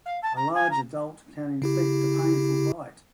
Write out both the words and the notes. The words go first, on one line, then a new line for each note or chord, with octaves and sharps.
A large adult can inflict a painful bite.
F5
A5
A#5
G#5
A#5
C#3 E4 G4